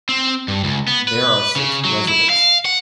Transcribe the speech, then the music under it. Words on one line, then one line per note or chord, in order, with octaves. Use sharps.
There are six residents.
C4
G2
C#2
B3
B4
C#3
F#3
E4
F5
F#5